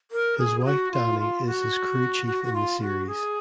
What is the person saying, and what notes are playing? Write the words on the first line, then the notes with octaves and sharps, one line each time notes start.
His wife Dani is his crew chief in the series.
A#4
G#4
G#4
F#4
F4
F4
F#4
F#4
F#4
F4
F#4
G#4